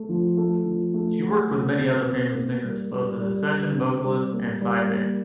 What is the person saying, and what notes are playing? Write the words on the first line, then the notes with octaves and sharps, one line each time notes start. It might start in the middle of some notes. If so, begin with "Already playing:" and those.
She worked with many other famous singers, both as a session vocalist and sideman.
Already playing: A3
F3
A3
F3
A3
F#3
F#3
C4
B2
A#3
G3
G3
G3
D3
C4
G3
A#3
G3
A#3